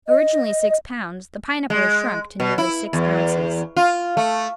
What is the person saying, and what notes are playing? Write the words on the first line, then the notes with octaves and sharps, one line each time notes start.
Originally six pounds, the Pineapple has shrunk to nearly six ounces.
D#5
G#3
B2
E4
E2
F4
A3